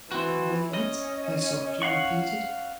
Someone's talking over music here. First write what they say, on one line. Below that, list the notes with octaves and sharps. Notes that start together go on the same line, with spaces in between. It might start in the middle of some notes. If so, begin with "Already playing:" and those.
"Wait?" I softly repeated.
E3 C4 F#4
C#4 D#5
F5 F#5 C#6